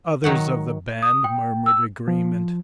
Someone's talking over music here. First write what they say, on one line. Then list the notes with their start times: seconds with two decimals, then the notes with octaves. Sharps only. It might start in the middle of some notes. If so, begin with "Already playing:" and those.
Others of the band murmured agreement.
0.24 D#3 F#3 F#5
1.02 D#6
1.24 G5
1.66 E6
2.08 F3